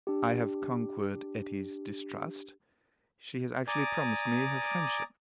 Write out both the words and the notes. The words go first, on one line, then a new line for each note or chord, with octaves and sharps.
I have conquered Etty's distrust; she has actually promised me her friendship.
D4 G4
D5 G#5 A#5 D6 D#6